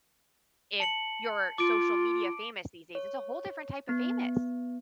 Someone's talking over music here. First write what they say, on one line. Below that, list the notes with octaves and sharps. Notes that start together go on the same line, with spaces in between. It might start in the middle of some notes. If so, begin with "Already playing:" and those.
if you're social media famous these days. It's a whole different type of famous.
A5 C#7 F#7
F4 D6 D7
C#5
B3